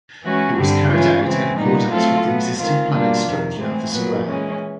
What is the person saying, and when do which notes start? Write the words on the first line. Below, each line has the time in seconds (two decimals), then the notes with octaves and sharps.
It was carried out in accordance with the existing planning structure of the square.
0.23 E3 G#3 C#4 F#4
0.57 G2 D3 G3 C4
0.90 E3 G#3 C#4 F4
1.24 C#3 E3 G#3 C4
1.57 A#2 G3 B3 D#4
1.90 F#3 A3 C4 F4 A4
2.24 A2 F#3 B3
2.57 D#3 G#3 C4 F4
2.91 B2 G3 A#3 D4 F4
3.25 F2 C3 D#3
3.58 A2 E3 G#3 C4
3.92 A#2 F#3 B3
4.26 E3 G#3 C#4